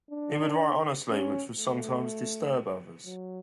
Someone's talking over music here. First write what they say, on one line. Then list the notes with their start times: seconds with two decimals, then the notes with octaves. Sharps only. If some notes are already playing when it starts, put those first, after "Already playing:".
He would write honestly which would sometimes disturb others.
0.11 D4
1.09 C#4
1.58 A3
3.06 F#3